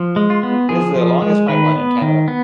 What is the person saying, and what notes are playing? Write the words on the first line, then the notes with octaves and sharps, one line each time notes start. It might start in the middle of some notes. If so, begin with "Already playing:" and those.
It is the longest pipeline in Canada.
Already playing: F3
G#3
F4
B3
F3 G#4
F3
G#3
D#3 B4
B3
D#3
B3